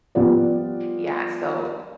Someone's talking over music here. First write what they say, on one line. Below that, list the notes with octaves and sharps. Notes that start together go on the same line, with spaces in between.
Yeah, so
F3 G3 B3 F4 D5